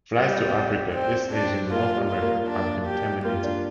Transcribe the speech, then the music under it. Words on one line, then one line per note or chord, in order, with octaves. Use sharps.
Flights to Africa, East Asia, and North America had been terminated.
G3 C4
C4
D4
A#3 F4
G3
F4
A#3
D4
G4
A#3 F4
D4